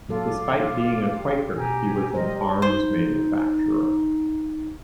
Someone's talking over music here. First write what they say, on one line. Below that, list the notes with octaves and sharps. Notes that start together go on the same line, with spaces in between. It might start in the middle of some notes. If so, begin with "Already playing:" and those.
Despite being a Quaker he was an arms manufacturer.
A#2 F#3 F4 A4 D6
G4
B2 G4 G#5 A#5
G3 G4 A#4 C5 D#5
D#4 C5